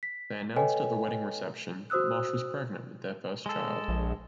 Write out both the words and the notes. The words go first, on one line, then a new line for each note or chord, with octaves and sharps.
They announced at the wedding reception that Marsh was pregnant with their first child.
B6
A4 B4 C#5 D#5 G5 G#5
F#4 C5 D#6 E6 F#6
G#3 A4
A#1